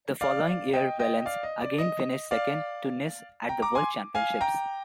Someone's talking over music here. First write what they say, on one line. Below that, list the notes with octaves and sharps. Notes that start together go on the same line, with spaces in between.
The following year Wellens again finished second to Nys at the World Championships.
D5 F5
D#5 G5
D#5 G5
D5 F5
D#5
D5
D#5
D5 F5
G5 A#5
A#5 D6
G#5 C6
F5 G#5
G5 A#5